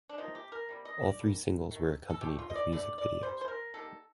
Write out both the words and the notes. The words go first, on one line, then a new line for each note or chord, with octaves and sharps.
All three singles were accompanied with music videos.
D4
C3 F3 A#3 D#4
G4
A#4
C3 G3 A#3
D#5
D5
D3 G3 A#3
D#3 A3
A4
D3 A3 G4
F4
D#5
D5
D3 A3 D5
D5
C3 G3 C5
C5
A#4
D#3 G3 A#3 A4